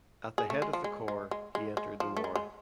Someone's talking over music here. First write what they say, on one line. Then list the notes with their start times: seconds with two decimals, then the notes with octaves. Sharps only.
At the head of the corps he entered the war.
0.38 G#4
0.50 A3
0.62 G#3
0.73 F3
0.84 G#3
1.08 G#3
1.31 G#3
1.55 G#3
1.77 G#3
2.00 F3
2.17 A3
2.24 G#3
2.36 G#3